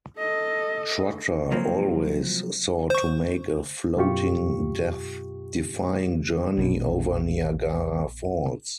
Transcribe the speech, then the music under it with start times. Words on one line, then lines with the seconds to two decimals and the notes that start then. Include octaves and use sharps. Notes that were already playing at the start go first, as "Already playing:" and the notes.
Trotter always sought to make a floating death-defying journey over Niagara Falls.
0.18 A4 D#5
1.51 C2 F3 F#3 A#3 C4
2.90 C5 C#6
3.97 F#2 B2 F4 G4 C#6
6.57 A#1 B2 D4